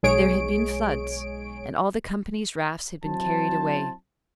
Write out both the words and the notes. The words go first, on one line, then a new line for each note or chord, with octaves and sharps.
There had been floods and all the company's rafts had been carried away.
B1 G#3 G#4 C#5 D7
F#3 C4 E4 C5 A5